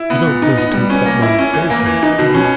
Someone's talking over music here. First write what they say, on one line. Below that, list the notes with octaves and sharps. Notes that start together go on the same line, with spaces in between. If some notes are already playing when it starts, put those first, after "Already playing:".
"You don't mean to take that man Bellfield, do you?"
Already playing: E4
B3
A#2
D#4
B3
G3
C#4
A#3
E4
C#4
E3
A#3
E3
D#4
B2
C#4